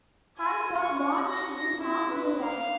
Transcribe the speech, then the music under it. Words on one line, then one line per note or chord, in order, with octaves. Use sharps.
Hunt was born in Windham, New York.
G#5
C#6
A#6
E4
B4
F5